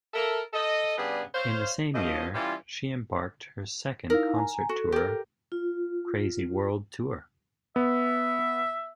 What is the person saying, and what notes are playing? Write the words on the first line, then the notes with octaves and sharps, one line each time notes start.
In the same year, she embarked her second concert tour Crazy World Tour.
A4 A#4 E5
A4 D#5
C#3 G3 B3 D4 G#4 B4
C5 C#5 F5
F#2 F3 D#5
E3 G3 C#4 E4 F4
D#4 E4 A#4 F5
G#5 A#5
F#4 A4
G4 A#4
F4
B3 E5